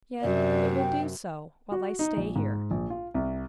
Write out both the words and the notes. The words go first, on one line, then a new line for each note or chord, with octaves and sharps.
Yet it will do so, while I stay here.
F#2 C3 D5
G5
F#4
D#4
A#1
G#2
A#1
F4
C2